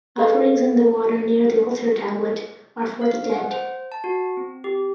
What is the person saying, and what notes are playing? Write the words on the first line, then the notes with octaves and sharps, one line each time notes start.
Offerings and the water near the altar tablet are for the dead.
G#4 A4 B4 D#5 F5
F5
F#5
C5
A5
F#4
C4
G4